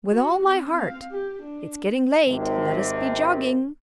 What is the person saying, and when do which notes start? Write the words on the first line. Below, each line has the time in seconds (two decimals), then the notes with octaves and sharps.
"With all my heart; it's getting late, let us be jogging."
0.11 F#4
0.42 C4
0.76 C4 F5
1.11 G4
1.42 D4
2.27 G#1 D#2 C3